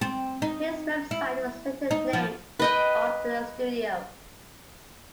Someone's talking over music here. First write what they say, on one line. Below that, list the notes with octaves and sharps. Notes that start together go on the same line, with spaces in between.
His website was later named after the studio.
C4
D#4
E4
D#4
F3
B4 D#5 G5